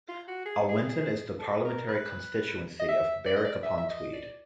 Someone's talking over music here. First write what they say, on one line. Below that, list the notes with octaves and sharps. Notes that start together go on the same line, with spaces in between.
Alwinton is in the parliamentary constituency of Berwick-upon-Tweed.
F4
F#4
G#4
A4
G#4
A4
A#4
B4
D#5
E5
D5
D#5
D5
E5
E5
D#5
D5